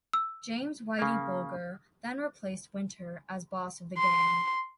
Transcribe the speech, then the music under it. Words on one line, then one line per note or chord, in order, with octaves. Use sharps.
James "Whitey" Bulger then replaced Winter as boss of the gang.
E6
C#3 A#3
C6